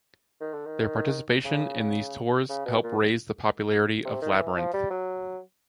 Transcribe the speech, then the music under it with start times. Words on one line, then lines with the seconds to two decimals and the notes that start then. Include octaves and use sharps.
Their participation in these tours help raise the popularity of Labyrinth.
0.41 D#3
0.53 D3
0.66 D#3
1.45 C#3
2.49 C#3
2.65 B2
2.83 A#2
4.05 C3
4.22 D#3
4.38 E3
4.56 F3
4.74 G3
4.91 F#3